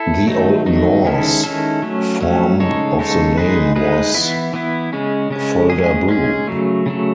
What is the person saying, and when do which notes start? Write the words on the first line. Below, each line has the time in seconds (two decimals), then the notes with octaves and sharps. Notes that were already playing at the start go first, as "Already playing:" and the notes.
The Old Norse form of the name was "Foldabu".
Already playing: E4 A4
0.27 D#3 F#3 A3 D#4
0.66 D#3 F#3 A3 D#4
1.05 D#3 G#3 C#4 E4 A4
1.44 D#3 G#3 C#4 E4 A4
1.82 F#3 A3 C#4
2.21 F#3 A3 C#4
2.60 C#3 G#3 D#4 A4 C#5
2.99 C#3 G#3 D#4 A4 C#5
3.38 G#3 D#4 G#4 B4
3.76 G#3 D#4 G#4 B4
4.14 E3 B3 E4
4.53 E3 B3 E4
4.93 C#3 G#3 C#4
5.30 C#3 G#3 C#4
5.70 G#3 C#4 G#4
6.09 G#3 C#4 G#4
6.47 C#3 F#3 A3
6.86 C#3 F#3 A3